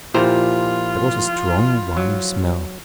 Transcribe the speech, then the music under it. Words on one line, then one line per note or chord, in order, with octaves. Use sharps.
There was a strong, winey smell.
A#2 F3 E4 F4 G4 C5 A#5
F#3